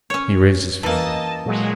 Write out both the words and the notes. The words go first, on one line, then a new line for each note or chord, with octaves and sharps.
He raised his finger.
C#4 C#5
E3 A#3 D#5 A5
A#2 F#3 G#3